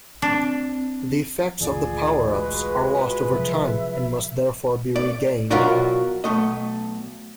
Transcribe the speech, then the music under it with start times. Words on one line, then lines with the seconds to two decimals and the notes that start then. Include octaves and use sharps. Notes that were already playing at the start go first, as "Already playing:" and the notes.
The effects of the power-ups are lost over time and must therefore be regained.
0.22 C4 D4
1.61 D2 A#2 E3 F4 G#4 D5
2.27 G#3 F4 F#4 G#4 B4
3.31 C3 F3 F#3 E5
4.96 D5
5.51 B2 F#3 F4 F#4 A#4 D5
6.24 B1 A3 D#5